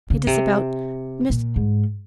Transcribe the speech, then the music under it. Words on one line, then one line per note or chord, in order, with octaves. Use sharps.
It is about--Mr.
C#3
C3
A#2
G#2